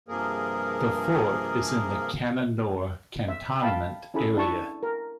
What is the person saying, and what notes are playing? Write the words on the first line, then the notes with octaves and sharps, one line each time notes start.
The fort is in the Cannanore Cantonment area.
G2 C3 F3 A#3 G#4 A#4
E5
E5 F5 G5 A5 B5
C#4 E4 G#4 A4 B5
D4 E4 A5 C#6
A#4